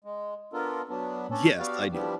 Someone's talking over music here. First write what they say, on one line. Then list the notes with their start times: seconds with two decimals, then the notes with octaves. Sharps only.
Yes, I do.
0.04 G#3
0.53 B3 D4 F4 A4 A#4
0.89 F#3 B3 D4
1.31 C#4 D4 A4
1.58 B3 F#4 G4 D5 F5
1.93 F3 G3 B3 D4 E4 G4